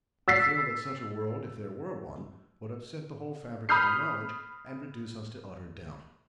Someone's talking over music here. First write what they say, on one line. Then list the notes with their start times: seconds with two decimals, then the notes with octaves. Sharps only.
We feel that such a world, if there were one, would upset the whole fabric of our knowledge and reduce us to utter doubt.
0.28 E6 A6 B6 C7
3.69 B5 D#6 F6 G6 C7